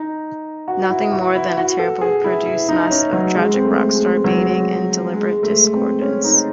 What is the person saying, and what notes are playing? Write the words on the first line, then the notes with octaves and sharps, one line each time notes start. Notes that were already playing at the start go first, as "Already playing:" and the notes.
Nothing more than a terribly produced mess of tragic rock-star baiting and deliberate discordance.
Already playing: D#4
F#4
E4
F#4
E4
F#4
A4
G#4
E4
E4
D#4
C#4
F#3
G#3
C4
A3
G#3
F#3
G#3
G#3
A3
C4
C#4
D#4